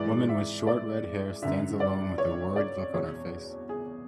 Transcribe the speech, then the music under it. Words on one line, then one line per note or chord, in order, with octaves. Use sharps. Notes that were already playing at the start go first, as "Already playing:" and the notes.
Woman with short redhair stands alone with a worried look on her face.
Already playing: G#2 E3 D5
E5
D5
F#2 D3 E5
D5
C#5
D5
E2 B2 C#5
G#4